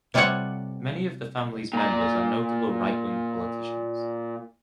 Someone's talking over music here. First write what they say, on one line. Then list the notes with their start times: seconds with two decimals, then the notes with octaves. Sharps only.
Many of the family's members are notable right-wing politicians.
0.14 C3 G3 F4 A4 C#5 F#5
1.73 A#2 A#5